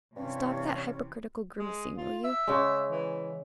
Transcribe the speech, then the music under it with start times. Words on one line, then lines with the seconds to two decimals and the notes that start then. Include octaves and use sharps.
Stop that hypocritical grimacing, will you.
0.16 G2 C3 E3 C#4
1.59 G#3
1.97 F4
2.24 E5
2.47 C#3 G#3
2.91 E3